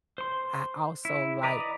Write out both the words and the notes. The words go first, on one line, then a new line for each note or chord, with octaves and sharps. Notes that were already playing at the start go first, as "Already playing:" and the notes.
I also like,
C5 C6
E4
B4 D5 D#5 A#5 B5